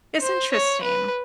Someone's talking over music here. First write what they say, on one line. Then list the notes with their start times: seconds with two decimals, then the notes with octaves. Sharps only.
it's interesting.
0.21 C5
0.52 C#5
0.83 B4